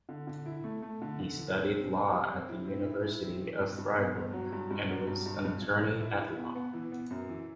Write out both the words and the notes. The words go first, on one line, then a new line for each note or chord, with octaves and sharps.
He studied law at the University of Fribourg and was an attorney-at-law.
D3
D3
E4
A3
A3
D3
D3
E3
C4
C4
C4
G3
C4
E4
C4
E4
E4
C4
E3
G2
G2
B3
G2
F#3
G2
G2
F#3
G2
G2
G2
G2
E3
E4
E4
B3
B3
E3
B3
F#2
E3